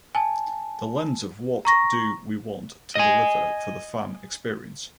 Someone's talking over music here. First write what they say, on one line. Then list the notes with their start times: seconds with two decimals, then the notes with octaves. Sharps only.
The lens of what do we want to deliver for the fan experience?
0.15 G#5 A5
1.65 A#5 C#6 A#6
2.95 D#5 G#5